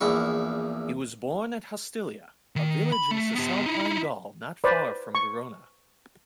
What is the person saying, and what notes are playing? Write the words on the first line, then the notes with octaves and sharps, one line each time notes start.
He was born at Hostilia, a village in Cisalpine Gaul not far from Verona.
A#1 E2 E4 C#6
D#3
B5
A3
B3 G4
D#4 E4
B4 C5 D5
C#6